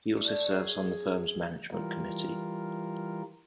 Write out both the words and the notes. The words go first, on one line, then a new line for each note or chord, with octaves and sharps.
He also serves on the firm's Management Committee.
A3 D4
G#4 C#5
E3 G3 F4 A#4